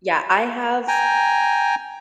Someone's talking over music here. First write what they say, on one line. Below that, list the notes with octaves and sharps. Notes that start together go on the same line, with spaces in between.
Yeah, I have
G5 G#5 A#5